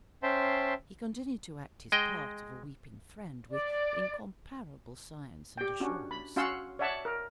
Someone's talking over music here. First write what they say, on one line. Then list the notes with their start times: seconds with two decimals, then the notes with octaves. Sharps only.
He continued to act his part of a weeping friend with incomparable science and assurance.
0.23 C#4 C5 E5 G5 A5 C6
1.92 G#3 D#5 G5
3.51 D5
5.58 G4 G5
5.80 C#4 D4 F#4
6.11 B5
6.36 C#4 F#4 F5 F#5 C6 E6
6.79 C#5 D5 E5 F#5 A5
7.05 A#4